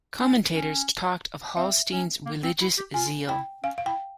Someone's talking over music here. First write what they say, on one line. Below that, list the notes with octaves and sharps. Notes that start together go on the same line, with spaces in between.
Commentators talked of Hallstein's "religious zeal".
C#4
C#4
C4 E5
C#4
A#3
C4
E4
G4
F4 G#5
E4 G5
C#4 F5
F5
E4 G5